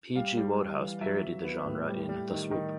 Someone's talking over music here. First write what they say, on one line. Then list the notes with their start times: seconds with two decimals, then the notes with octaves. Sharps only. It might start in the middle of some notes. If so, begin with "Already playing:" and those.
P. G. Wodehouse parodied the genre in The Swoop!
0.15 G3 F5
0.37 G3
0.59 G3
0.80 E3
1.01 F#3 E5
1.23 F#3
1.44 B3
1.66 A2
1.87 G3
2.09 G3
2.30 D#3
2.51 D#3